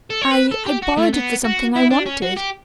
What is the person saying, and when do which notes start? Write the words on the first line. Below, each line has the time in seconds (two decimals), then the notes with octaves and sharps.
I--I borrowed it for something I wanted.
0.10 A4
0.21 C#5
0.31 B4
0.51 A4
0.66 G4
0.83 F#4
0.98 A3
1.13 B3
1.44 F#4
1.75 E4
1.90 D4
2.06 C#4
2.22 F#4
2.37 G4